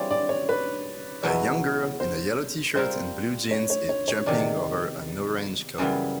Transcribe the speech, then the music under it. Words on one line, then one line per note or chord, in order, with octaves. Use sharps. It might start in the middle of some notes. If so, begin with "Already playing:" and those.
A young girl in a yellow tshirt and blue jeans is jumping over an orange cone.
Already playing: E3 G3 C4 F4 G#4 C#5 D5
D5
C#5
B4
E2 B2 F#3 B3 E4
C5
G3 C4 F4 A#4 C5
C#5
C#5
C#5
C#5
E2 C3 D#3 D5
F#2 C#3 E3 G3 B3